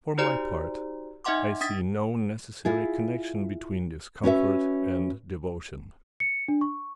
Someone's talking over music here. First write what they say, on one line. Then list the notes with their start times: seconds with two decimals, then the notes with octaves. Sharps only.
For my part, I see no necessary connection between discomfort and devotion.
0.18 D#4 F#4 G4 C5 D5 A#5
1.24 D#4 D#5 E5 F#5 C6 D6
1.61 D4 D#6 A6 B6
2.65 E4 F4 G#4
4.24 C#4 F#4 B4 E5
6.20 C#7
6.48 D4
6.61 C#6